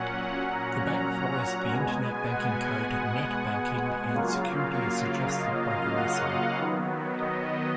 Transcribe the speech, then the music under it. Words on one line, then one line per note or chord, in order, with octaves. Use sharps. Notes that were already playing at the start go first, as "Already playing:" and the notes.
The bank follows the internet banking code NetBanking and security is entrusted by Verisign.
Already playing: A#2 F#3 C#4 F#5
A#5
B2 G#3 B3 G#5
F#5
C#3 F#3 A#3 F4 F5
D#5
F5
F#5
D#3 F#3 B3
D#5